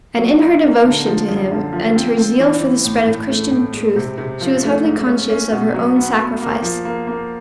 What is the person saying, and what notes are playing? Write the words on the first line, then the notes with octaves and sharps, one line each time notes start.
And in her devotion to him, and her zeal for the spread of Christian truth, she was hardly conscious of her own sacrifice.
F#3
D#4
A#3
D3
F3
F#2
D3
F3
C4
C4
E3
E3
A2
A2
A3
A2
G#3
C3
C3
F3
A3
G#2
C#4
C#4
B2
F#3
B3
B3
A#3
F3
A#3
A#3